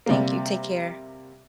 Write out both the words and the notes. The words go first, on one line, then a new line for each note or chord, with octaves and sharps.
Thank you, take care.
C3 G3 A#3